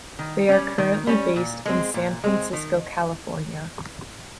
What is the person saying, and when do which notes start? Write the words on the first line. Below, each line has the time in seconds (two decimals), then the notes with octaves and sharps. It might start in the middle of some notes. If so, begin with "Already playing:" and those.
They are currently based in San Francisco, California.
0.19 D#3
0.49 G3 C#4
0.78 D#3
1.07 G3 C#4
1.36 A#2
1.66 G#3 C4
1.94 A#2
2.24 G#3 C4
2.53 D#3